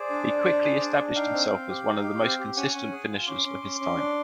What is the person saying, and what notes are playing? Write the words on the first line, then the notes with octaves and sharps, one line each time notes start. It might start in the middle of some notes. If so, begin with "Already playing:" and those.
He quickly established himself as one of the most consistent finishers of his time.
Already playing: G#4 C5 D5
D4
D4
D4
G#4
D4
D4
D#4 F5 G5
C4
C4
G4
D#4
G4
C4
G4
C#4 F#5 G#5
C#4
G#4
F4
C#4 C6 D6
C#4
C#4
C#4
D4